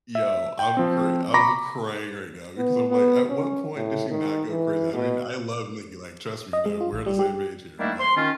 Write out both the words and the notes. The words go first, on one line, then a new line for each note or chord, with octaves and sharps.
Yo, I'm cra I'm crying right now because I'm, like, "At what point does she not go crazy?" I mean, I love Nicki, like, trust me, you know, we're on the same page here, but
E5
G5
F3 C4
A#5 B5 C#6 D6 A#6
B3
B3
C#4
A2
D#3
E3
B2
D#5
G#3
F4
A1
G3
G4
D#3 G3 A3 A#3 D4 E4
C6
D#3 C#4 F4